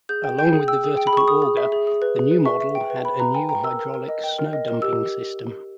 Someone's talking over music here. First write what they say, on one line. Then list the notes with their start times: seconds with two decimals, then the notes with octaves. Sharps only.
Along with the vertical auger, the new model had a new hydraulic snow-dumping system.
0.09 G#4 G6
0.24 G5
0.39 G5 G6
0.53 G#4
0.68 G5 E6
0.84 G#4
0.97 G5
1.07 B5
1.13 G#4 C#6
1.27 G#4 D#6
1.42 G#4
1.57 E5
1.72 G#4
1.87 G#4
2.02 B4
2.16 G#4
2.31 B4
2.45 E5 C#6
2.61 E5
2.75 G5
2.90 B4
3.05 B4 B5
3.20 B4 A#5
3.34 G5 G#5
3.49 G5 A#5
3.64 A#4 E6
3.79 A#4
3.94 A#4
4.09 D#5
4.24 G5
4.39 A#4
4.53 D#5
4.68 A#4
4.82 G4 E6